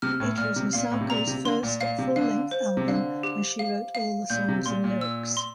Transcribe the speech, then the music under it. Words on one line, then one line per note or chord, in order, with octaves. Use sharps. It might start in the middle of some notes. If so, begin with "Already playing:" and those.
It was Misako's first full-length album, and she wrote all the songs and lyrics.
C3 F6
A2
A#2 F6
C3
A#2 F5
A2
C3
A#2 A#5
C3
D3 C6
A#2
A#2 F5
C3
D3 F5
C5
C3
D3 F5
G4
F5
F5
A#2 G6
C3
A#2 C6
A#2
E6
C6